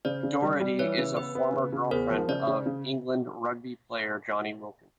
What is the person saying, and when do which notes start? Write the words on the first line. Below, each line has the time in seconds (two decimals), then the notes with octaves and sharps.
Dougherty is a former girlfriend of England rugby player Jonny Wilkinson.
0.05 C#3 C5 D5
0.23 C#3
0.42 G3
0.60 G3
0.79 E3 B4 C#5
0.98 C#3 B4
1.17 B3 B4
1.35 B3
1.53 C#3
1.73 C#3
1.91 E2 A#4 C5
2.10 F3
2.28 C#3 C5 D5
2.47 C#3
2.66 C#3